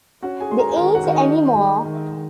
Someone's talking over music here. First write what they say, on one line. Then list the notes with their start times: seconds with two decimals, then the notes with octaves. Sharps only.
There ain't any more.
0.22 C#4 F#4 F#5
0.41 G#4 G#5
0.50 G#3 C6
0.58 A#4 A#5
0.69 G#5
0.77 D#3 A#4 A#5
0.95 F#4 F#5
1.04 D#3
1.13 D#4 D#5
1.32 D#4
1.58 G#3
1.85 D#3
2.12 D#3